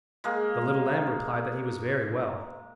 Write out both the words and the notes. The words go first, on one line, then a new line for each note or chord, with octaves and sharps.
The little lamb replied that he was very well.
G#3 A#3